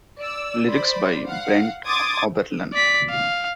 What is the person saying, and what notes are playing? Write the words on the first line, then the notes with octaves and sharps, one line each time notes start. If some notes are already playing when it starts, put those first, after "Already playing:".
Lyrics by Brent Oberlin.
D5 E6
C5 D5 B5
F5 F#5
C6 D6 D#6 G#6 A6
D5 B6
F5